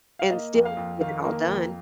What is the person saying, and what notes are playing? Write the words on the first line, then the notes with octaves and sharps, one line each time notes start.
and still get it all done.
F5
A#3 D#5
F2
F5
F2
D#3 F5
A#3
F2